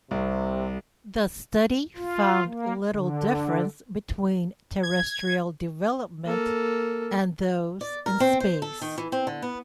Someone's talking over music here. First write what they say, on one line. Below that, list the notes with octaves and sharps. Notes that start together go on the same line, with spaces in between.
The study found little difference between terrestrial development and those in space.
C2 C3
F4
A#3
D3
G#6
A#3 A4
D5
A#4
C4
C5
A4
D#3
E3
C4
D3
B3